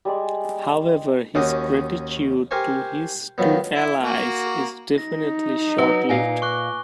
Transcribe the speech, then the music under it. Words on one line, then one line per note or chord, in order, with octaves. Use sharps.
However, his gratitude to his two allies is definitely short-lived.
G3 G#3 D5
D#2 C#4 D#4 F#4 D6 D#6
G4 A#4 C5 G#5 C#6
D#3 F3 F#3 B3
E4
A#3 F#4
D#4 A#6
F#3 B4
A#2 D#5 F5 G#5
C#6 D6 F#6